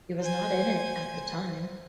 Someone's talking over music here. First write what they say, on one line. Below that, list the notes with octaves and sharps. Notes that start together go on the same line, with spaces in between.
He was not in it at the time.
C5 G#5